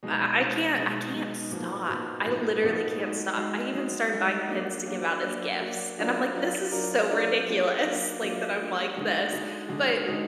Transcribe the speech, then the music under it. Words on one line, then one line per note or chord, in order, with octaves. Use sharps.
I I can't I can't stop. I literally can't stop. I even started buying pins to give out as gifts and I'm like this is so ridiculous, like, that I'm like this. But
B2 G#3 D#4
B2 G#3 D#4
B2 G#3 D#4
B2 G#3 D#4
A#2 F3 B3 D#4 F#4
A#2 F3 B3 D#4 F#4
A#2 F3 B3 D#4 F#4
A#2 F3 B3 D#4 F#4
G#3 D#4 F#4
G#3 D#4 F#4
G#3 D#4 F#4
G#3 D#4 F#4
F#3 A#3 D4 F#4 D5
F#3 A#3 D4 F#4 D5
F#3 A#3 D4 F#4 D5
F#3 A#3 D4 F#4 D5
F#3 D4 F4 A#4 D5
F#3 D4 F4 A#4 D5
F#3 D4 F4 A#4 D5
F#3 D4 F4 A#4 D5
F#3 A#3 D4 F4
F#3 A#3 D4 F4
F#3 A#3 D4 F4
F#3 A#3 D4 F4
D3 G#3 D#4 F#4
D3 G#3 D#4 F#4
D3 G#3 D#4 F#4
D3 G#3 D#4 F#4